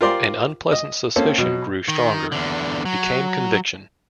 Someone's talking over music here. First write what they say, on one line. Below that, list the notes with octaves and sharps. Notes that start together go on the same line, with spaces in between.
An unpleasant suspicion grew stronger; became conviction.
F4 G4 A#4 C5 D5 C6
D#5
A#3 C4 C#4 A4
B2 F#3
D#3
E2 D3
F#3